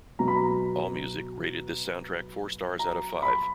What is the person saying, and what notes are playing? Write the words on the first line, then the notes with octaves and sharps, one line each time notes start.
"Allmusic" rated this soundtrack four stars out of five.
B2 F#3 B3 A#5
B5
A#5
A#5
B5